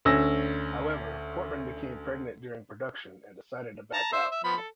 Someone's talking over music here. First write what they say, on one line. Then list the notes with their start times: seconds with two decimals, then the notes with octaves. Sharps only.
However, Portman became pregnant during production, and decided to back out.
0.05 D2 C#4 E6 A#6
3.93 A5 A#5
4.13 C5 E5
4.32 E5
4.44 F3 B3 B5
4.57 A4